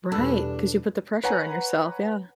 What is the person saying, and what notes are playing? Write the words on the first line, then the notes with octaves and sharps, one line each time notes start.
Right, 'cause you put the pressure on yourself, yeah.
E2 B2 G3 D4 A4 B4
B4 C#5 F#5 G#5 A#5